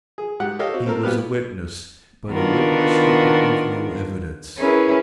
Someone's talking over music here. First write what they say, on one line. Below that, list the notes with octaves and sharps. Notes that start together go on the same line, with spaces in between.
He was a witness, but a witness who could give no evidence.
G#4
G#2 G4 F#5
G4 A4 C#5 D#5 F5
C4 F#4
C4 A4 A#4
A#2 B3 G4 B4 F6
D#3 B3 D4 F4 F#4 A#4
C#4 E4 G#4 A#4 B4